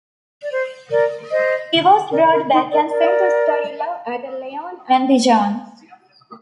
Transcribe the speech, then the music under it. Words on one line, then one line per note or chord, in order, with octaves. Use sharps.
He was brought back and sent to study law at Lyon and Dijon.
D5
C5
A#4 D5
C5 D#5
A#4 D5
A#4
D#4
A#4 D5
A#4 D5